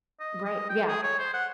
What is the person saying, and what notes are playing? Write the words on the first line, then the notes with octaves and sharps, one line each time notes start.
Right, yeah.
D#5
D#5
G5
G#4
C#5
C5
F#5